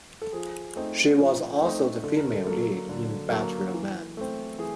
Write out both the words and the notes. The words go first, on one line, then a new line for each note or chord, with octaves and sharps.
She was also the female lead in "BachelorMan".
A4
F3 G#4
A3 C4 D#4
F3
A3 C4 D#4
D3 A4
A#4
A4
F#3 A#3 A4
D3
F#3 A#3
E3
A3 C4
E3 G#4